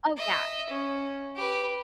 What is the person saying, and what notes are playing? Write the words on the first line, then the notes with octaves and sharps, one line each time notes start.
oh, yeah,
D#5 E5
C#4
G4 B4